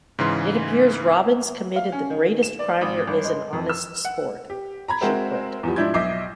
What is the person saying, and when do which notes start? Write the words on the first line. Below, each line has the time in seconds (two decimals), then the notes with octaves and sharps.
It appears Robbins committed the greatest crime there is in honest sport: she quit.
0.19 G#2 C#3 E3 C6
1.76 F5
1.92 C#4
2.10 D#3
2.43 E7
2.59 D5
2.81 G#1
3.07 G1
3.24 G#3
3.53 F2
3.69 E6
4.05 F#5
4.50 G4
4.88 A#5 B5 G#6
5.01 G#3 C4 F#4 A#4 C5 E5
5.63 E2 F3 G3
5.76 G#2 F3 D4 E4 G6 G#6
5.94 B1 D#5 E5 D6 G6 C7